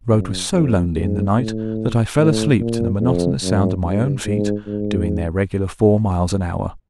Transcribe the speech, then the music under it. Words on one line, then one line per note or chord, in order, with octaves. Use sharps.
The road was so lonely in the night, that I fell asleep to the monotonous sound of my own feet, doing their regular four miles an hour.
F#2
F2
G#2
A2
A2
A#2
F2
F#2
G2
G#2
G#2